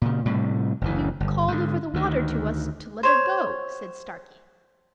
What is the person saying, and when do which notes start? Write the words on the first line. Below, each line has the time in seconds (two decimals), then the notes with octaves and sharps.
"You called over the water to us to let her go," said Starkey.
0.02 A#2 C#3
0.26 A2 C3 G3
0.81 F#1 D2 E3
1.20 G1
1.48 G#2 D3
1.94 D2 D#3
3.03 C5 C#5